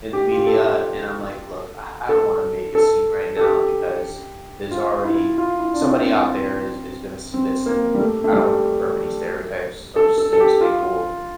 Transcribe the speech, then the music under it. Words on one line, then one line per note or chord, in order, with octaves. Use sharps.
in the media, and I'm like, "Look, I I don't wanna make a scene right now because there's already somebody out there is is gonna see this and I don't wanna confirm any stereotypes, so I'm just gonna stay cool."
G4
F4
G4
A4
A4
A4
A4
G4
F4
E4
F4
E4
D4
C4
C4
C4
A#3
G3
A3
A3
G3
A4
A4
A4
G4
F4